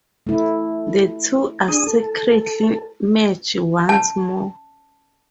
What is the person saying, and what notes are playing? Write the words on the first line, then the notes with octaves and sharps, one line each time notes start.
The two are secretly merged once more.
A3 E4
D4 G#4 D#6
A4
A5